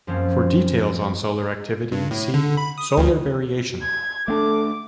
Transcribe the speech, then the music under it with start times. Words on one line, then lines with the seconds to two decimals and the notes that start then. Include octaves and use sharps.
For details on solar activity see: solar variation.
0.07 F#2 F3 A#3 C4 C#4
1.92 G2
2.11 A2
2.34 D3
2.57 B5
2.78 D#6
2.98 D2
3.82 G#6
4.28 A3 C4 D4 A4 D6